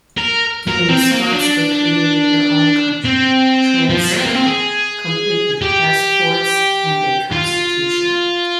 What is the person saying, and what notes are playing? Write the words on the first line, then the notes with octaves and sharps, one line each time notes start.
In response, they created their own country, "Trans-State," complete with passports and a constitution.
A#4
A#4
C4
A#3
D4
C4
F3
C4
A#3
C4
G#4
G4
F4